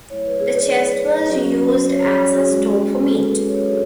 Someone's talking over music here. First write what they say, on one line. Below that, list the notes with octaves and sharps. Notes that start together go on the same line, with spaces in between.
The chest was used as a store for meat.
F#3 A3 E4 C#5
B4
G#4
D5
D5
F#3 C#4 F#4
C#5
G#4
G#4
F#4
G#3 C#4 F#4 G#4
A4
B4
C#5
F#3 A3 D4 F#4 C#5